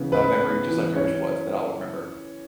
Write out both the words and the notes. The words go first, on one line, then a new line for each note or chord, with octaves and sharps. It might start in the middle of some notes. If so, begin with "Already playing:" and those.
uh, memory just like yours was that I'll remember.
Already playing: C#3 E3 B3
C#3 B4
B3
E3
C#4 C#5